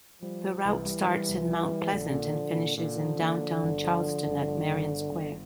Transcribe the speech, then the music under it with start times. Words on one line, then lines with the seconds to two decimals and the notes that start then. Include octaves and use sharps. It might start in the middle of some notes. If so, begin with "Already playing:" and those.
The route starts in Mount Pleasant and finishes in downtown Charleston at Marion Square.
0.22 F3 G3
0.44 G3
0.65 C2 E3
0.86 G3
1.08 G3
1.29 C2
1.49 G3
1.72 G3
1.92 A#1 D3
2.13 A#2
2.35 F3
2.56 A#2
2.77 A#2 D3
2.99 F3
3.20 A#3
3.42 F3
3.63 G1
3.84 F3
4.05 F3
4.26 G1
4.48 G1
4.69 G1
4.90 G1
5.11 G1